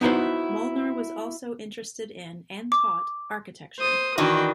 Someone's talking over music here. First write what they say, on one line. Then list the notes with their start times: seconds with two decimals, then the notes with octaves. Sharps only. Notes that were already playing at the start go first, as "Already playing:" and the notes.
Molnar was also interested in, and taught, architecture.
0.01 B3 D#4 E4 F#4 B4 C5
2.72 D6
3.79 C5 D#6
4.18 D#3 E3 D4 F#4 G5